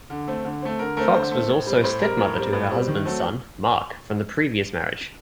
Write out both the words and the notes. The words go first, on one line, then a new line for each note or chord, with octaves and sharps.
Foxx was also step mother to her husband's son, Mark from a previous marriage.
D3
A3 C4
D3
A3 C4
D3 A#4
A3 C4 A#4
D3 C5
A3 C4
A2
G3 C4
A2 C5
G3 C4 A#4
A2
G3 C4
A2
G3 C4
D#3
F#3 A3 C4